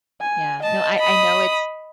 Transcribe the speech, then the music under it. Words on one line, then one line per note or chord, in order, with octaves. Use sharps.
Yeah. No, I I know it's
G#5
D#5 A5
B5 D#6